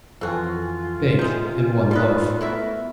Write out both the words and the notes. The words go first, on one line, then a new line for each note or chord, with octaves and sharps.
Bake in one loaf.
F2 E3 C4 F4 F#4 A4 G#5
C3 G#3 G6
B2 D#4 A4 B4 D5
A3 B3 E4 F#4 A#4 E5